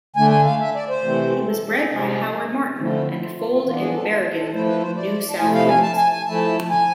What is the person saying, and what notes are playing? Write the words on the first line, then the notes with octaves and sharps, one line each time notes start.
He was bred by Howard Martin and foaled in Berrigan, New South Wales.
D3 A3 D4 G#5
G#5
F5
E5
D5
C5
C3 E3 A3 C4
A4
G#4
C3 F3 G#3
D3 F3 A3 C4 E4
E4
E4
F4
F4
F4
E3 B3 D4 F4
G#4
A4
F4
A4
F3 A3 E4 C5
B4
C5
D5
A5
C3 F3 A3 E4 G#5
F5
G#5
A5
G#5
G#5
F3 A3 E4 A5
G#5